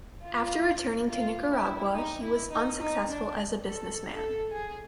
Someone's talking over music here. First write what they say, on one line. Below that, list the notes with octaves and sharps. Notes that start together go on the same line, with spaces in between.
After returning to Nicaragua, he was unsuccessful as a businessman.
F4
F4
E4
D#4
E4
D#4
D#4
D4
A4
A4
G#4